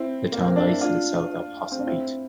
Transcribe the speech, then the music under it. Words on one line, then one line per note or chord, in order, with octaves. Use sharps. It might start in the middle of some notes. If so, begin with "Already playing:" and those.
The town lies to the south of Hosapete.
Already playing: C4 E4
A#3
C4
D4
E4
D4 F4
C4
D4
C4 E4